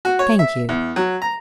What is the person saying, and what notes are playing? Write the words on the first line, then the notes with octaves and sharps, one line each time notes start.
'Thank you.
F#4
C#5
E5
E2
F#3
A#5